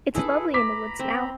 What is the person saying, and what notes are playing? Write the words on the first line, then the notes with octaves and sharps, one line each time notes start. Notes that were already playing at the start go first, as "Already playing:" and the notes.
It’s lovely in the woods now.
E4 G#4 A4 B4
A#5 B5 D6 B6
C4